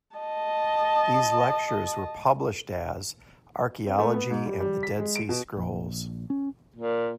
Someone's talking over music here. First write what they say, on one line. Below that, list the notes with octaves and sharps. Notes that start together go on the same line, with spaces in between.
These lectures were published as "Archaeology and the Dead Sea Scrolls".
D#5 A5
C4
A3
B3
G#2
G3
G3
B6
G#3
D7
B2
A#1
C#4
A#2